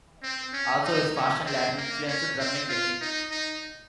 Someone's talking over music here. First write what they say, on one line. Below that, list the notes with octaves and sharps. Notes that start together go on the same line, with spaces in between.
Also his fast and Latin influenced drumming technique.
C4
C#4
D#4
C#4
C4
A#3
C#4
C4
F4
D#4
D#4